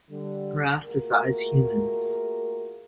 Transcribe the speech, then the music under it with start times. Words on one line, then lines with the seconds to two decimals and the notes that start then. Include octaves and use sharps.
They do not parasitise humans.
0.10 D3 G3
0.85 A3 A#3 F4 F#4 G#4 A#4